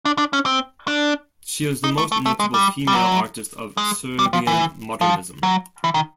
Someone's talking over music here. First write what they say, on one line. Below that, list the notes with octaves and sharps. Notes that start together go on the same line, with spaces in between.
She is the most notable female artist of Serbian modernism.
D4
D4
C#4
C4
D4
D#4
A3
A3
A3
G#3
G3
G3
F#3
G#3
G3
F3
E3
F3
F#3
E3
D#3